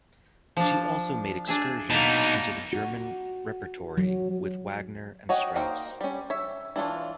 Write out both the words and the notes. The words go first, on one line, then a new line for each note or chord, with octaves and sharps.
She also made excursions into the German repertory with Wagner and Strauss.
F3 D4
D4 G#4 E5
B2 A#3 D#4 A5
F#4
F#3
F#4 C#5 D#5 F#5 G5
A#3 D#4 A#4 C5 G5
G3 C#4
C#5 E5
E3 G#3 D4 F4 C#5